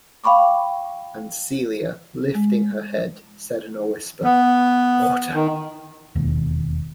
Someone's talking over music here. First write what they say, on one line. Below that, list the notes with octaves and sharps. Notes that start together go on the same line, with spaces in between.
And Celia, lifting her head, said in a whisper: "Water!"
F5 G5 B5 C#6 D6
G#3
B3
D#3
E1 D#2